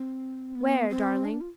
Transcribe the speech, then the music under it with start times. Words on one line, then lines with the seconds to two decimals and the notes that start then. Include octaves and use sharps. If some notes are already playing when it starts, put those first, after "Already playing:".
"Where, darling?"
Already playing: C4
0.55 B3
0.89 C4
1.25 D4
1.41 F4